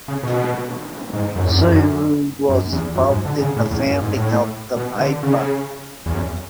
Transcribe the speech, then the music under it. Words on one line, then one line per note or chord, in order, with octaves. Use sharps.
Xu Wu was involved in the founding of the paper.
C#3
B2
G#2
F#2
E2
F#2
F#2
E2
F#2
G#2
D3
C#3
A2
E2
F#2
G#2
A2
B2
D3
C#3
E2
F#2